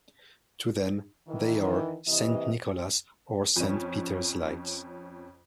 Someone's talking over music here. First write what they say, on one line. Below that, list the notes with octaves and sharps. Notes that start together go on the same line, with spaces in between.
To them, they are "Saint Nicholas" or "Saint Peter's lights".
D#3 E3
C3 E3 D#5
F2 C#4